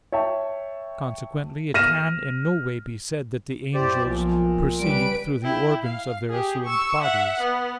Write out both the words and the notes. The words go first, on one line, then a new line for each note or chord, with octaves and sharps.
Consequently it can in no way be said that the angels perceive through the organs of their assumed bodies.
C#5 E5 G5 A5
F6 A#6 D#7 E7
F#2 E4 G4 C5 D5
B1 A#2 F3
C#3 G3 B4 D7
E4 G5
F5
G4 G#4
C#6 E6
E5 F#5
B3